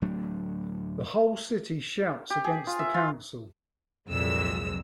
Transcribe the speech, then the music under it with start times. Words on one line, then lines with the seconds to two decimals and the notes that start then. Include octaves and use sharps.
The whole city shouts against the Council.
0.02 D1 F#3 A3 D4
2.30 G4
2.44 G#4
2.67 F4
2.79 E5
2.94 F4
4.08 C2 F2 A#2 F#3 G#3 E6